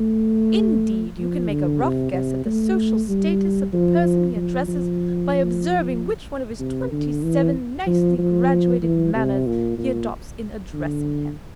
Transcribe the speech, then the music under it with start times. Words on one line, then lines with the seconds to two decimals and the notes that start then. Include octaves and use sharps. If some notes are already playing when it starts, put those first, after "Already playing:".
Indeed, you can make a rough guess at the social status of the person he addresses by observing which one of his twenty-seven nicely graduated manners he adopts in addressing him.
Already playing: A3
1.18 F3
1.49 D3
1.81 C3
2.13 C3
2.45 A3
3.08 G3
3.73 F3
4.35 F3
4.68 F3
6.59 C3
6.91 D3
7.23 E3
7.87 F3
8.18 F3
8.82 E3
9.15 C3
9.46 A#2
9.78 A#2
10.73 D3